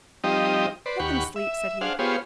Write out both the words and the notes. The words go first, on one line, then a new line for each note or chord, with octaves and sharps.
"Let them sleep," said he.
F3 G3 C4 D#4 G4 D#5
B4 C5 D5
D#2 G4 F#5 B5 C#6
E5
D4 G#4 C5 F5 F#5
B3 F4 G4 G#4 C5 C#5